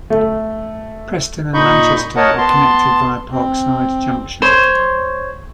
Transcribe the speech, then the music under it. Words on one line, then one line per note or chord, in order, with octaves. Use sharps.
Preston and Manchester were connected via Parkside Junction.
A3
A#2 D#4 D#5 B5 C#6 G6
A#4 C#5 D#5 F#5 A5
B3 A5 C6
C4
C5 C#5